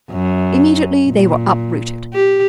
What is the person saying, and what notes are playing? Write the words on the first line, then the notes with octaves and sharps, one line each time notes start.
Immediately they were uprooted.
F#2
A#2
G4